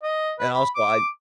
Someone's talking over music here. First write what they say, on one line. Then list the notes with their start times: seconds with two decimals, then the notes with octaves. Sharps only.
And also I
0.03 D#5
0.39 B4
0.54 B5
0.75 D6